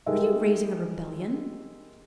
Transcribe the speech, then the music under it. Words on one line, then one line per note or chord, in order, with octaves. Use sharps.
"Are you raising a rebellion?"
G3 G#3 D#4 A4 A#4 E5